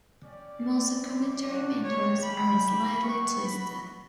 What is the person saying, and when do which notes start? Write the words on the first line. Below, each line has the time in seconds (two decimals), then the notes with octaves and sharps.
Most documentary makers are slightly twisted.
0.23 C#4 G4 D5
0.63 A3 C#4 G4
1.03 B3 E4 G4 D5
1.43 G3 D4 F#4
1.84 A3 D4 G4 C#5
2.23 C#4 G4 B5
2.64 A3 E4 G4
3.03 B3 E4 G4 C#6
3.44 B3 F#4 B5